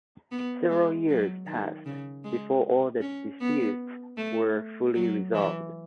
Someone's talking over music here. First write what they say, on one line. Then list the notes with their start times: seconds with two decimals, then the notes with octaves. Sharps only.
Several years passed before all the disputes were fully resolved.
0.31 B3
0.70 G#3
1.08 F#3
1.46 D#3
1.85 C#3
2.24 G#3
3.01 C#4
3.40 B3
4.17 A3
4.94 F#3
5.34 E3